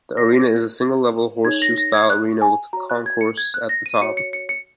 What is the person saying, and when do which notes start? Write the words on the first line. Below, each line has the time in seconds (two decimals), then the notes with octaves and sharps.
The arena is a single-level, horseshoe-style arena with a concourse at the top.
0.17 F#4 C#5 A#6
1.45 D#4 G#4 C#5 G#6
1.62 A#6
1.78 A#6
1.94 G#6
2.10 F#6
2.42 G#5
2.73 F#4 C#5 A#5
2.90 F#6
3.06 G#6
3.21 C#7
3.38 G#6
3.54 F#6
3.69 A#6
3.86 D#7
4.02 F#4 C#5 C#7
4.17 C#7
4.33 C#7
4.49 C#7